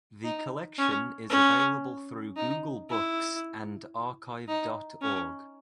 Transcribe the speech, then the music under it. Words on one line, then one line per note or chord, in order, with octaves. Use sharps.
The collection is available through Google Books and archive dot org.
D#4
C#4
C#4
D#4
E4
D#4
C#4